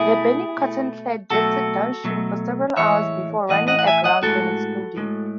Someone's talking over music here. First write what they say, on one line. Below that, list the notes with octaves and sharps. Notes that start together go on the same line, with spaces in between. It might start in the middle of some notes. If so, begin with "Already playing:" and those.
The burning cotton-clad drifted downstream for several hours before running aground and exploding.
Already playing: B2 A3 E4 G#4
B2 A3
B2 F#3 A3 F#4 A4
B2 F#3 A3
A2 E3 G#3 C#5 E5
A2 E3 G#3 D#5 F#5
D#5 F#5
F#5
E5 G#5
D#5 F#5
A2 G#3 F#4 A4
A2 G#3